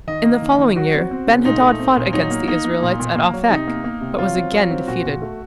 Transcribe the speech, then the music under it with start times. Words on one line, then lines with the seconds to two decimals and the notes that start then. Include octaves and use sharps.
In the following year Ben-hadad fought against the Israelites at Aphek, but was again defeated.
0.07 D#3 D#5
0.25 A#3
0.42 D#3
0.59 D#3
0.76 F#3 F#4
0.94 C4
1.11 C4
1.27 C#3
1.45 A#2 D#4
1.61 A3
1.80 C4
1.96 A#2
2.13 F#3 D#4
2.31 A#3
2.48 A#3 D#4
2.65 A#3
2.82 A#2
3.00 A#2
3.16 A#3
3.33 F#3
3.50 C3 D#4
3.67 A#3
3.84 A#3
4.01 C3
4.18 F#3 F4
4.36 C4
4.53 F#3
4.71 C4
4.87 A#2 F#4
5.05 A#2
5.22 A3